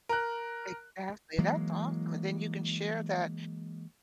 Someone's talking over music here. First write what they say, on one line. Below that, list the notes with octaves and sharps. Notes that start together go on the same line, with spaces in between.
Exactly, that's awesome and then you can share that
A#4 F#6
E3 F#3 G#3 A#3